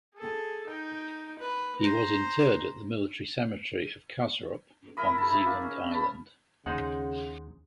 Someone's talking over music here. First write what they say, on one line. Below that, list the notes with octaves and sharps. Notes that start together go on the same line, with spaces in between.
He was interred at the military cemetery of Kastrup on Zealand island.
G#4 A4
D#4 G5
B4
C5 A#5
E4 A#4 B5 D#6
G#4 A5
D#4 E5
A#3
C#4
A5 B5
D#2 C#3 G#3 D#4 C5 F#5